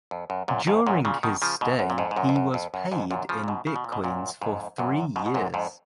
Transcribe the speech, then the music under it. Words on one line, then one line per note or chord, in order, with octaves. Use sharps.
During his stay he was paid in bitcoins for three years.
F2
F#2
F#2 A#2
F2 G#2
F#2 A#2
A#2 C#3
B2 D#3
C#3 F3
G#2 B2
F#2
A#2
F2 G#2
G#2
F#2 A#2
F2
F#2
F2
F#2
F2 G#2
F#2 A#2
C#3 F3
A#2
G#2 B2
C#3
B2
A#2
G#2 B2
F#2 A#2
F2 G#2
F#2 A#2
G#2 B2
B2
F#2 A#2
F2 G#2